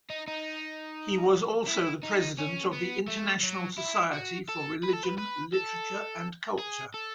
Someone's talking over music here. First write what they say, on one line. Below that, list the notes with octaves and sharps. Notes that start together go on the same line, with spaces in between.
He was also the President of the International Society for Religion, Literature and Culture.
D#4
D#4
E4
D#4
C#4
B3
A3
F#3
E4
F#4
A4
B4
A4
B4
B4
A4
G#4
A4